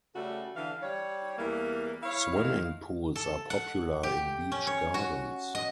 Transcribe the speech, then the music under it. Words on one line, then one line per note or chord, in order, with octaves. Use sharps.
Swimming pools are popular in beach gardens.
C#3 G3 A3 F#4 A4
D3 E3 F5
G3 C#5
E2 E3 G3 A#3
E4 C#5 F5
A2 D#3 E4 F5
A4
F#5
G4
C#4
C#5
F#4
D#5